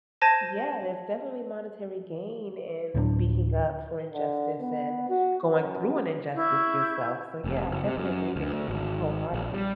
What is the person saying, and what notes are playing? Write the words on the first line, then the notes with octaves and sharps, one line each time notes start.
Yeah, there's definitely monetary gain in speaking up for injustice and going through an injustice yourself, so, yeah, I definitely agree with you wholeheartedly.
C5 A5 G#6 A#6 D#7
D2 A2 F#3 D4
D3
B3
F#4
F#2
E4 C#6 G6
F1
F#1
C3
F#2
D2
D2
G#1
A#1
G3